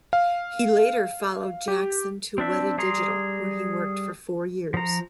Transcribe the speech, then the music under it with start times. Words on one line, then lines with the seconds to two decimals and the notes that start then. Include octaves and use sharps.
He later followed Jackson to Weta Digital, where he worked for four years.
0.13 F5
1.68 G4
2.38 C4 D4 E5
2.78 G3 G#4 A#5 C6
4.74 F3 A#5